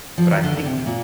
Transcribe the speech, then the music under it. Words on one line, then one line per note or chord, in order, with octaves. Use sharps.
But I think
F3
D#3
D3
D3
C3
C3
A#2